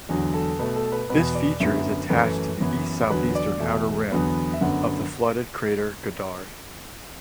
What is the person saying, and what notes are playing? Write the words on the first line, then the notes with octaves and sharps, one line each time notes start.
This feature is attached to the east-southeastern outer rim of the flooded crater Goddard.
E2 D3 F#3
A4
B2 A3 B4
A4
B4
E2 B2 B3 B4
D5
F#2 D3 B3 E5
E5
F#2 E3 A3 B4
F#2 E3 B3
E2 D3 F#3 B4
D5
E2 B2 A3 E5
E2 D3 F#3 B3
E5
F#2 D3 B3 F#5